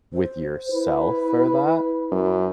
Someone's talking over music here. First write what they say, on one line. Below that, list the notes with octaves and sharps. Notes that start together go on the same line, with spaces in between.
with yourself for that
C5
E4 B4
F#2